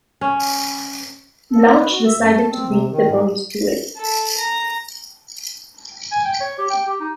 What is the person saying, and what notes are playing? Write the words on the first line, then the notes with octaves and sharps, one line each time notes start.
Blanche decided to beat the boys to it.
C#4
A4
D#4
B4
F#4
E5
F#2
A5
C4
C3
D#3
G#2
A4
A#5
G#5
G5
C#5
G4
G5
G4
D#4